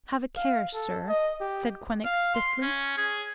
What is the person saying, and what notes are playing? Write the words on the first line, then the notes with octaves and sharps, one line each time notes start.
"Have a care, sir," said Quinnox stiffly.
F5
A4
D#5
G4
F5
C6
C#4
G#4